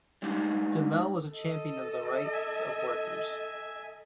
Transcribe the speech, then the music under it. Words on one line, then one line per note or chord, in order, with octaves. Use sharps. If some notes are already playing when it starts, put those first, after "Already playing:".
Dehmel was a champion of the rights of workers.
G3 G#3 D4 D#4
A4 D#5
E5 G#5